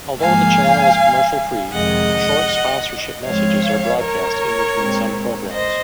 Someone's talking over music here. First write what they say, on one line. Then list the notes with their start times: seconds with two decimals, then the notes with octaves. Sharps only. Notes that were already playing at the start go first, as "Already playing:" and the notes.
Although the channel is commercial-free, short sponsorship messages are broadcast in between some programmes.
0.19 G#2 F3 A#3 F5 G#5
1.71 F2 C3 D#3 G#3 D#5 F#5
3.23 G#2 F3 G#3 C4 C#5 F5
3.99 A#4 C#5
4.75 A#2 G#3 C4
5.51 C5 D#5